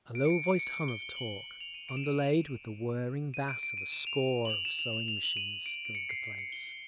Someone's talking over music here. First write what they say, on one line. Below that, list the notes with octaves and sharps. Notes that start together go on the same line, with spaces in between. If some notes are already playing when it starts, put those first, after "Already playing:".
A low-voiced hum of talk, underlaid with the whirring bass of a score of sewing machines, filled the place.
D7
C#7
D7
D7
C#7
D7
G7
G7
F#7
F7
D#7
D7
E7
D#7
D#7
D7
D7
D#7
E7
F7
F#7
F7
E7
F7
F7
F7
F#7
D#7
D7
D7
C#7
C7
C7
C#7
G7
G7